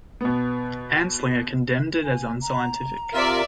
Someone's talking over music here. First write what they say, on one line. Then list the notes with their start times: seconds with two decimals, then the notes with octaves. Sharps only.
Anslinger condemned it as unscientific.
0.21 B2 B3
2.04 G#5
2.42 A#5
3.13 C3 F4 A#4 D5 E5